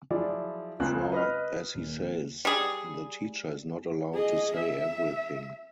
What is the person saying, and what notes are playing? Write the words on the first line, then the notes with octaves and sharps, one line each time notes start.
For, as he says, the teacher is not allowed to say everything.
F3 F#3 E4 G#4 D5
C#2 C#3 C4 C5 F#6
B4 D#5 F6
D#1
G3 G#4
G#4 D#5
E5